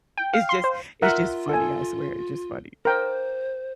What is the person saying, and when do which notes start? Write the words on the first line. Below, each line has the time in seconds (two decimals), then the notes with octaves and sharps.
It's just it's just funny, I swear. It's just funny.
0.18 G5
0.33 F5
0.49 C6
0.64 C5
1.02 F4 A#4 E5 F#5
1.49 A4 G#5
2.85 A#4 C5 G5